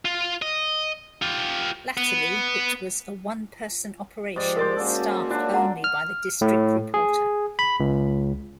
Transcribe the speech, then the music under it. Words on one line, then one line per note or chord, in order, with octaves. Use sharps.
Latterly, it was a one-person operation staffed only by the district reporter.
F4
D#5
F4 G4
B3
G#2 F3 G4 D5
A#4 C5 D5 D6
A#3 C#4 F#4 A4 D5
D4 F4
F#5 A#5 C6
F6
A2
G#4
B5
C#2